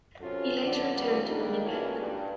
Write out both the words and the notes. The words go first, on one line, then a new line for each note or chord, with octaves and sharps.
He later returned to Winnipeg.
F#2 C3 F#3 C#4 F4 A4
D2 D3 F3 B3 D4 D5
D#3 G3 A#3 B3 C#4 F4
D#3 G3 A#3 D4 D#4
A#2 E3 F#3 A#3 C#4 A4
G2